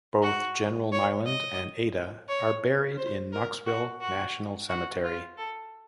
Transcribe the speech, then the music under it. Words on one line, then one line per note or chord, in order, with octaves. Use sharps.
Both General Neyland and Ada are buried in Knoxville National Cemetery.
F#4
C#5
D#5
C#5
C5
A#4
F#4
F#4
F#4
F4
A4